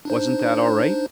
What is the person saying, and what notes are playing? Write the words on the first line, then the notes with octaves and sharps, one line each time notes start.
"Wasn't that all right?"
D4 D#4 C5